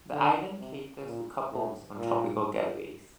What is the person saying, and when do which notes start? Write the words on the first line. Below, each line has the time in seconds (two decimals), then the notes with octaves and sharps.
The island caters to couples on tropical getaways.
0.13 D3
0.59 C3
1.05 A#2
1.51 A2
1.97 A#2